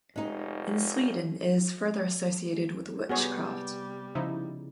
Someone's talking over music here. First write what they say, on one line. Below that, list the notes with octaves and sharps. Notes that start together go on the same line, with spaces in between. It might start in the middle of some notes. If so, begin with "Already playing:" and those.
In Sweden, it is further associated with witchcraft.
F1 G#3 D#4
C3 G3 B3 F#4 G#4 C#5
C#3 F3 D#4 E4